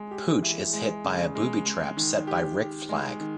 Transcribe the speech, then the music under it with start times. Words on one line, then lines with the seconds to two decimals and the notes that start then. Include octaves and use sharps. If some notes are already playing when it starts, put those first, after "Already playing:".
Pooch is hit by a booby trap set by Rick Flag.
Already playing: G#3
0.11 G4
0.42 E3
0.73 G#3
1.04 C#3
1.35 G#3
1.66 G#3
1.97 D#3
2.27 G4
2.58 G4
2.89 G#3
3.20 D#3